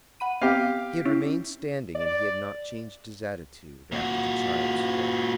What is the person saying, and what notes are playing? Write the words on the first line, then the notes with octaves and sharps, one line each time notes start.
He had remained standing and had not changed his attitude after the child's flight.
F#5 B5 D#7
B3 C4 G4 F5
C#4 E4
D5
A#2 F#4